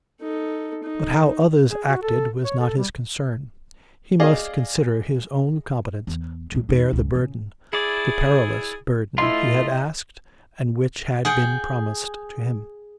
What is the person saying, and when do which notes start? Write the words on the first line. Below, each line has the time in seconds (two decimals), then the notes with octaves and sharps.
But how others acted was not his concern; he must consider his own competence to bear the burden--the perilous burden he had asked, and which had been promised to him.
0.21 D#4 A4
0.83 D#4
1.70 G#4
1.88 F#4
2.02 A4
2.44 C#5
2.60 A4
2.77 G3
4.20 G#4 D5 D#5 F5
6.07 E2
6.52 A2 F#3
6.69 E2 D#4
6.93 C#2 C#3
7.15 A#2 C#3
7.73 E4 G#4 D5
9.18 A3 E4 F4 D#5 C6
11.25 G#4 F#5 G5